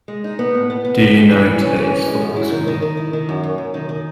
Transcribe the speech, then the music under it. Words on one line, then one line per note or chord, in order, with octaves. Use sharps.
Do you know today's football score?
G#3
D#4
B3
A2
B3
B3
A2
A2
E3
E3
C#4
E3
C#4
G#3
F#2
E4
D#3
D#3
D#3
E4
D#3
F#2
F#2
F#2
D#3
D#3